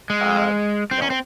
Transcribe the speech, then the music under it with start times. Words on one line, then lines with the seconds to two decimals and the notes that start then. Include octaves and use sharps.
um, you know,
0.10 G#3
0.91 C4
1.02 C#4
1.10 C4